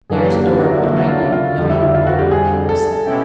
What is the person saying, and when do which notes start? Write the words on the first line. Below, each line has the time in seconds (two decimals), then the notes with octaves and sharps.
"There's a door behind you in yon corner," he said.
0.10 F#2 D3 F#3 A#3 D4 G#4
0.23 G4
0.35 G4
0.47 F4
0.59 F#4
0.72 E4
0.84 E4
0.92 F#4
0.97 F4
1.08 F4
1.21 E4
1.32 F4
1.45 F#4
1.58 F2 D3 G3
1.69 E4
1.83 E4
1.95 F4
2.07 F#4
2.19 G4
2.31 G#4
2.69 A4
3.05 B2 G#3 C#4 E4 G4